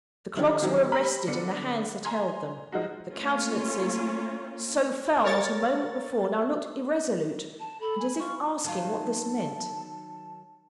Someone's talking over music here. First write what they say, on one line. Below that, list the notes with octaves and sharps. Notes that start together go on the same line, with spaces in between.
The clogs were arrested in the hands that held them--the countenances, so fell not a moment before, now looked irresolute, and as if asking what this meant.
D3 D#3 F3 G4 C#5
D#3 F#3 C4 G4
G3 B5
D3 B3 D5 C#7
G#5 A#5 C6 G#6
F3 G#3 D#4 F#4
A3 A#3 C#4 F4
A#4 C#5 A6
A5
A4 B5
G#5
F4 C#6
D#3 F#3 F4 A5